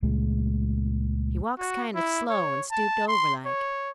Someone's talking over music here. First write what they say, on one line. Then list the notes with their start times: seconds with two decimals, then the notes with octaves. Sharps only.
"He walks kind of slow and stooped over, like."
0.03 C#2 A#2 G#3 A3
1.59 F#4
1.95 E4
2.30 C#5
2.71 A5
3.08 C6
3.45 C#5